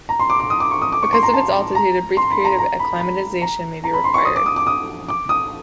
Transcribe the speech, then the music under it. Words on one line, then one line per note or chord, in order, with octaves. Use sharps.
Because of its altitude, a brief period of acclimatization may be required.
A#5
C6
D6
D6
D#6
D6
C#6
D#6
D6
C#6
C6
A#5
A5
A#5
C6
B5
A#5
A#5
B5
B5
A#5
A#5
B5
C6
C#6
D#6
D6
D#6
D6
D#6
D6
D#6